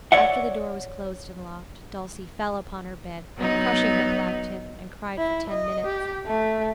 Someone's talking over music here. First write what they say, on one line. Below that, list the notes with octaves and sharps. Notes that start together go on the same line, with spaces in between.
After the door was closed and locked, Dulcie fell upon her bed, crushing her black tip, and cried for ten minutes.
C#5 D5 E5 F#5
F#3 B3 D#4
E4
D#5
G4
A3